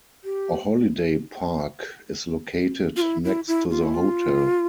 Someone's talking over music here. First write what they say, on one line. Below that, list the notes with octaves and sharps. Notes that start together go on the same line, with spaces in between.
A holiday park is located next to the hotel.
G4
F4
E4
E4
E4
F4
E4
F4